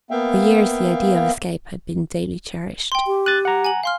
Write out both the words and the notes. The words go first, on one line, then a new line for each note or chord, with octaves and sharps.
For years the idea of escape had been daily cherished.
A#3 B3 E5 F5 G5
G5 C6
G4
F#6 A6 D#7
F#5 A#5
G#5 F#7
F5 C6 F6